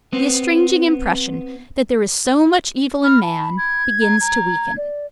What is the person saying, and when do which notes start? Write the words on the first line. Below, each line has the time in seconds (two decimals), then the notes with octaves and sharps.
The estranging impression that there is so much evil in man, begins to weaken.
0.13 B3 C4
3.04 B5 F6
3.23 A5
3.58 G#6
4.02 A#5
4.21 A#5
4.77 D5